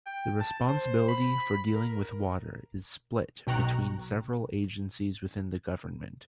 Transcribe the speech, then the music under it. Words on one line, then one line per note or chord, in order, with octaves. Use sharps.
The responsibility for dealing with water is split between several agencies within the government.
G5
A5
C5
B5
A#4
B1 B2 G5 A#5 C#6 F#6